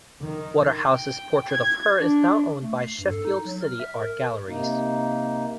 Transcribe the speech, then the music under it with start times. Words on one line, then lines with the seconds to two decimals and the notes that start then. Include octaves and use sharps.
Waterhouse's portrait of her is now owned by Sheffield City Art Galleries.
0.22 D#3
0.91 G5
1.49 G#6
2.01 D4
2.62 A3
2.79 C7
2.99 G2
3.11 A4
3.25 D#4
3.45 F#3
3.61 F6
3.80 E5
3.95 A#4
4.47 C3 A#3 D#4